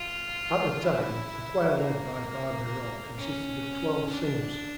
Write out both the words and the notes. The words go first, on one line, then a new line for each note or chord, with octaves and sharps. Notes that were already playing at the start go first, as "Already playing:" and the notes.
At that time, the choir led by Barbireau consisted of twelve singers.
Already playing: F4
E4
A#3
C#4
D4